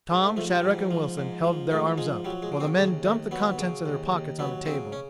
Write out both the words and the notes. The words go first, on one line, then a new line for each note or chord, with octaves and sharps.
Tom, Shadrack, and Wilson held their arms up, while the men dumped the contents of their pockets on a table.
G#2
A3
F3 A3
G3
G#2
F3
G#2
F3
G#2 A3
F3 G#3
F#3 G3
G#3
C#3
C4
D#2 G#3
D#2 A3
F#3 B3
C#3
D#2
D#2
F#3 B3
C#3 C4
C#4